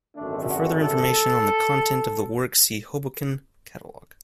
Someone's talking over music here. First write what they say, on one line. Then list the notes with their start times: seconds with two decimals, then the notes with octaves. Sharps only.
For further information on the content of the work see "Hoboken catalog".
0.16 G#1 F#2 D3 A3 D4
0.50 F#4
0.82 A4